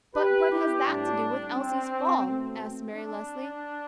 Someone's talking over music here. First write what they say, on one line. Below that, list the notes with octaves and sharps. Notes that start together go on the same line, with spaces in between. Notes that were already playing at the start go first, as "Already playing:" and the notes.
"But what has that to do with Elsie's fall?" asked Mary Leslie.
G4 B4
E4 G4
A2 G3 C4 D4
C4
B2 A3 C4
D4